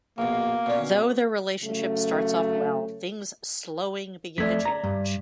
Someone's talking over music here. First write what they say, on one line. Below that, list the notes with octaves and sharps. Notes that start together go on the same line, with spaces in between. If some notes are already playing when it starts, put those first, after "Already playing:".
Though their relationship starts off well, things slowing begin to change.
A#1 B2 A#3
B2 C#4 B4 D5
C#3 F#3 A3 C#4
F2 A3 D5 G#6 B6
A#5
G2